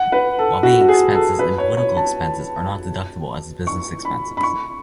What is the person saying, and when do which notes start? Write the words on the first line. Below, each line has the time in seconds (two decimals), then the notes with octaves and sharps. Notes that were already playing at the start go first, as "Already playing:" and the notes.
Lobbying expenses and political expenses are not deductible as business expenses.
Already playing: F#5
0.12 B4
0.39 A4
0.63 F#4
0.81 F#4
0.88 G#4
1.15 A4
1.39 B4
1.58 C#5
1.77 C#5
1.97 A5
3.67 C#6
4.05 B5
4.37 B5
4.43 C#6